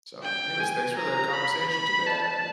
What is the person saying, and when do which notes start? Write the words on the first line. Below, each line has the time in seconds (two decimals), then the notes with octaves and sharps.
So, anyways, thanks for the conversation today. I I
0.23 G5
0.60 G#5
0.97 A#5
1.34 B5
1.70 B5
2.07 A5